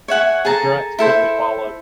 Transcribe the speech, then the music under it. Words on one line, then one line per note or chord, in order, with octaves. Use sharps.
Regrets quickly followed.
C#5 E5 F#5 G#5
G#4 A4 A5 A#5
E4 A4 C5